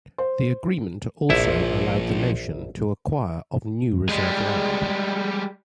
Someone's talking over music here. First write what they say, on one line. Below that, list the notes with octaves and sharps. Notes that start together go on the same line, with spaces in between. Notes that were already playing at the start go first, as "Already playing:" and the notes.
The agreement also allowed the Nation to acquire of new reserve land.
C5
A#1 A#2 F3 E4 E5
G3 G#3